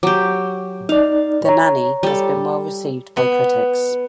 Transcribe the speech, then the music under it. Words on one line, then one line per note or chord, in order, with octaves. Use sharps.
"The Nanny" has been well received by critics.
F#3 G4 D6
D#4 D5 F5
C#5 A#5
G3 A4
B3